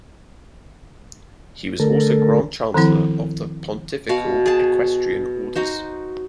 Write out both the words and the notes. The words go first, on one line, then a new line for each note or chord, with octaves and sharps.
He was also grand chancellor of the Pontifical Equestrian Orders.
D3 A3 A4 A#4
D#3 F3 C4 E4
B2 F#4 F5
G#4 A5
D#4 F#4 C5